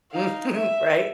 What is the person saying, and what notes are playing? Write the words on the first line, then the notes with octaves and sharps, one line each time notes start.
Mhm, right?
D#4 F5
E5